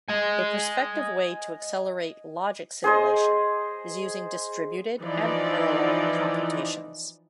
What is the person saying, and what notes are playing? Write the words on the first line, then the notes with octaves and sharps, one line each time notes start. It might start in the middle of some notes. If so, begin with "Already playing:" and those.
A prospective way to accelerate logic simulation is using distributed and parallel computations.
D#5 G#5
G#4 C5 D#5
E3 F3 D#4 D5